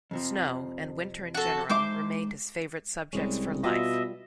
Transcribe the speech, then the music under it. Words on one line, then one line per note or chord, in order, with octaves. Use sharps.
Snow, and winter in general, remained his favorite subjects for life.
F2 C3 F3
F#4 A4
G#3 D#4 C5 E5 D6
C2 G3 G#3 C#4
B2 G3 F4 D#5 E5